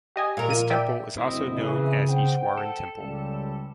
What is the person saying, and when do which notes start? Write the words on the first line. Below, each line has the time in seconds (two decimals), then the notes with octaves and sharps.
This temple is also known Easwaran Temple.
0.16 G4 D#5 G#5
0.37 A#2 A#4
0.50 F3 D#7
0.70 D5 E5 G5
1.18 F#1 D2 C4 E4 D#5
1.58 C#3 E3 C4 G#4
2.07 C5 F#5 G5
2.58 A4
2.99 C#2 G3